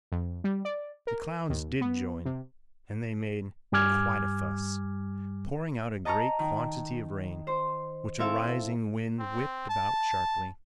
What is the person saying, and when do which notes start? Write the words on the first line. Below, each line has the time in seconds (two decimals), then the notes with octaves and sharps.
The clouds did join, and they made quite a "fuss," pouring out a great quantity of rain, which a rising wind whipped about sharply.
0.12 F2
0.44 G3
0.65 D5
1.07 A#4
1.50 D#2
1.81 B3
2.25 C3
3.72 G2 G3 G#5 D6 F6 G#6
6.05 D#5 A5 A#5 C#6 D#6 F6
6.39 D#3
7.47 C5
8.19 C4 E4 A4 E5 F5
9.19 C4
9.69 A5